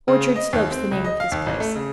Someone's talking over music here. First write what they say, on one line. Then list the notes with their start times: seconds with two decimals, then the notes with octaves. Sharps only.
Orchard Slope's the name of his place.
0.08 C#3
0.36 D#5
0.53 D#2
0.71 C4
0.91 C#2
1.05 D#5
1.20 F5
1.32 D#2
1.46 A1
1.60 A3
1.76 C#3